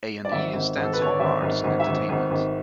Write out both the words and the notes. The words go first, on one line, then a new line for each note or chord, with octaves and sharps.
"A and E" stands for "Arts and Entertainment".
D5
G#1 E5
G#1
G#1
A4
B4
D3 C#5
D5
G#1 E5
G#1
G#1
E5
G#1
G#1
G#1